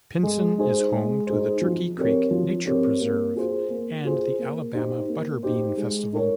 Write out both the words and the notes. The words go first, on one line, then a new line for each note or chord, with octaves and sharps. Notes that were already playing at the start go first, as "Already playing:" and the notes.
Pinson is home to the Turkey Creek Nature Preserve and the Alabama Butterbean Festival.
G#3
D#4 G#4 C5
G#3
D#4 G#4 C5
F3
C4 G4 A#4 C#5
F3
C4 G4 A#4 C#5
A#3
F4 G#4 C5
A#3
F4 G#4 C5
A#3
D#4 G4 C5
A#3
D#4 G4 C5
G#3
D#4 A#4 C#5